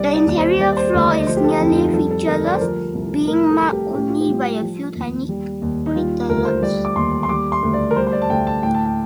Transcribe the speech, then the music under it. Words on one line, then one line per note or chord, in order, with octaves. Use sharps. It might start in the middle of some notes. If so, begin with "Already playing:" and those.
The interior floor is nearly featureless, being marked only by a few tiny craterlets.
Already playing: C2 G3 D5
D5
D#2
C5
G3 D5
D5
C5
D2 D5
D#5
F3 C5
G4
A4
F2
D#4
F4
G3 A4
A4
D2 A#4
D5
C5
F3 A#4
C2
A2 A#4
A4
G3
G4
A2 G4
F4
G4
G3
F3
D#2
G3
D#2
D#4
G3 F4
D2 A#4
C5
G3 D5
D6
D#2 C6
C6
G3 D6
C6
D2
D5
A#4
G3 C5
C5
D5
A5
D2 G5
A5
A2 G5
A5
G5